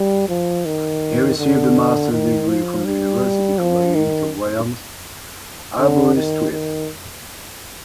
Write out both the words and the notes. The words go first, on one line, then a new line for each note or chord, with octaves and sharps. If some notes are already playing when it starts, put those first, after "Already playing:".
He received a Master's degree from the University College of Wales, Aberystwyth.
Already playing: G3
F3
D#3
D3
D#3
F3
G3
F3
D#3
D3
D#3
D#3